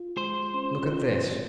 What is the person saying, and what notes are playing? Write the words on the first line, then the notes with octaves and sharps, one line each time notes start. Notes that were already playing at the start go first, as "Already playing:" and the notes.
"Look at this!"
Already playing: F4
G#3 C5
C#4
F4
F4